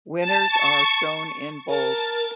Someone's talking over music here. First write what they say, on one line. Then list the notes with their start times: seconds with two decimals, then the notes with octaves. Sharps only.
Winners are shown in bold.
0.19 A5
0.48 C#6
1.68 A#4 A5 A6